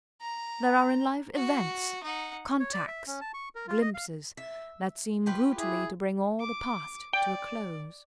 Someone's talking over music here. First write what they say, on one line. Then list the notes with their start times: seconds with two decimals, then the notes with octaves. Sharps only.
There are in life events, contacts, glimpses, that seem brutally to bring all the past to a close.
0.21 A#5
1.36 F#4
2.03 D#4 F#5
2.60 C#5
2.73 D5
2.87 E5
3.07 C#4
3.21 A5
3.34 C#6
3.55 A#4
3.68 F4
3.82 D#5
3.94 F5
4.37 E5
5.26 F4 G4 B4
5.58 E4 G#4
6.40 D6
7.13 D5 G5